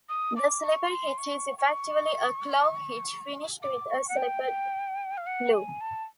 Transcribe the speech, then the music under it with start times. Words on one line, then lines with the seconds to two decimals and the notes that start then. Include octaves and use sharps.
The slippery hitch is effectively a clove hitch finished with a slipped loop.
0.09 D#6
0.36 D6
0.64 C#6
0.90 C6
1.18 C#6
1.59 C#6
3.63 D6
3.90 C#6
4.09 F#5
4.17 G5
5.17 F5
5.26 F#5
5.53 G#5
5.81 A5